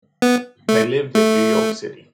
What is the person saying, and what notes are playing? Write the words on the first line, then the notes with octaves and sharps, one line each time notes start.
They lived in New York City.
B3
A3
A3